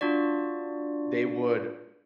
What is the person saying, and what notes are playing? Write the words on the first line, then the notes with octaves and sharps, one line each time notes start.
they would
D4 F4 F#4 D5